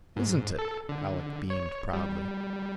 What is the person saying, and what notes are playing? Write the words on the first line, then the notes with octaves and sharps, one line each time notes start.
"Isn't it?" Alec beamed proudly.
G#2
A4
D3
C#5
G3